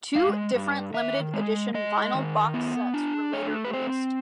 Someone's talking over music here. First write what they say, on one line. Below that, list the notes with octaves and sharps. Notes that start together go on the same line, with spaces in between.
Two different Limited Edition Vinyl Box sets were later released.
G#3 F5
G2
D#3 E5
G#3
G#3 D#5
D#3
B3
D4
A3 C#5
B4
C4 C5